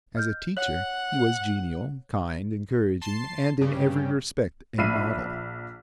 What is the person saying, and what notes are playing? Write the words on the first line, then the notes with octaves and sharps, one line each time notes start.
As a teacher he was genial, kind, encouraging and in every respect a model.
D#5 F6 G6
C#5 F#5 F#6 F#7
A5 C6 C7
G2 C#3 G4
A#1 E5 B5 C7 D#7